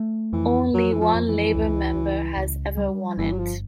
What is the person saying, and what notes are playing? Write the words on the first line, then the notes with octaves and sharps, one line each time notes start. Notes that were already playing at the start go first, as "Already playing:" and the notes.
Only one Labor member has ever won it.
Already playing: A3
F2 E3
F2 F#3
E3
F3
F2
E3
C#2
C#2
C#2
G3
G1 E3
F#3
F3